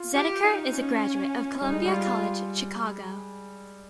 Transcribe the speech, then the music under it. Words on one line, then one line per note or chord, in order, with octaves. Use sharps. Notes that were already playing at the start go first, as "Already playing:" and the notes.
Zediker is a graduate of Columbia College Chicago.
Already playing: F4
G4
D#4
C#4
G3 D#4
G#3
G3 F4